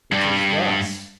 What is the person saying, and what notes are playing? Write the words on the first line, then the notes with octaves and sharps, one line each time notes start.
"It is thus."
G2